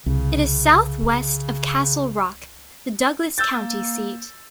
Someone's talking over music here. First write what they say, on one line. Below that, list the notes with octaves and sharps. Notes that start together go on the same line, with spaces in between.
It is southwest of Castle Rock, the Douglas County seat.
C2 C#3
E6 G6 A6
A#3